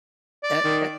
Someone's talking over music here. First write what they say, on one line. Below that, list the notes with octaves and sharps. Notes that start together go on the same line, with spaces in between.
A a
D5
D#3